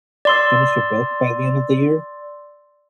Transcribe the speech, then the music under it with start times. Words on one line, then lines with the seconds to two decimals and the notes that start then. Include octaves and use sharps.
finish a book by the end of the year
0.25 D5 C6 E6